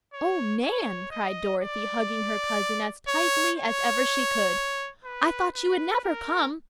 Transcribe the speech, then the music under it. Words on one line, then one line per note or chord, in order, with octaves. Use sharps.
"Oh, Nan!" cried Dorothy, hugging her cousin as tightly as ever she could, "I thought you would never come!"
C#5
C#5
D#5
D5
C#5
C#5
B4
B4
A#4